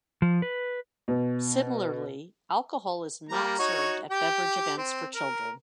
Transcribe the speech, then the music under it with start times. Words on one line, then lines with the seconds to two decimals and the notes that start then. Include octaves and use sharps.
Similarly, alcohol is not served at beverage events for children.
0.22 F3
0.42 B4
1.08 B2
3.29 G3 A#3 A#5
3.59 D#4 F#4 C#5
4.11 G4 G5
4.77 C4
5.15 A#4